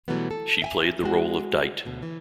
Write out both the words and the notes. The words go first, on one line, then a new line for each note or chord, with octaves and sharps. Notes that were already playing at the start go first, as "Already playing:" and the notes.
She played the role of Dite.
B2 E3 F#3 G3 A3 B3
A4
E5 G5 G#5
G#3 F#4
D2 B2
E3